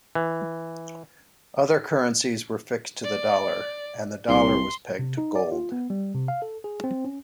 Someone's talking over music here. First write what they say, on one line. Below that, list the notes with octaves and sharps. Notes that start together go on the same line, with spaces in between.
Other currencies were fixed to the dollar, and the dollar was pegged to gold.
E3
D5
C2 C6
C3
D#4
D5
F4
B3
G3
C3
F5
A4
G#4
C4
C#4